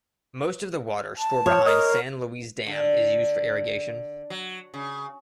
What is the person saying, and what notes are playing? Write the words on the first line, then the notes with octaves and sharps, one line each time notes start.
Most of the water stored behind San Luis Dam is used for irrigation.
A5
F3 C#5
A#4 D#5
D3
F#3
C#3